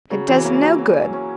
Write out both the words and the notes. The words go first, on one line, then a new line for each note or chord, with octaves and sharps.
It does no good.
C#3 F#3
E3 F#3
A#3 C#4
F#3
F#3
C#4
C#4